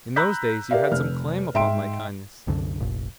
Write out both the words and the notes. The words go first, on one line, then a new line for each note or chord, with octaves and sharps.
In those days you had some claim upon my kindness.
A#5 B5 E6 F#6 G6 B6
G4 A#4 D5 E5 F5
F1 F6
G#2 E5 G5 C6 D7
C2 F#2 D3
F1 A#1